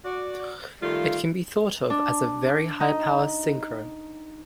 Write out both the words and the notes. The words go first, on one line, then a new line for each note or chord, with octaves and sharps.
It can be thought of as a very high power synchro.
F#4 D5
D#3 G3 A3 F4
D4
D#4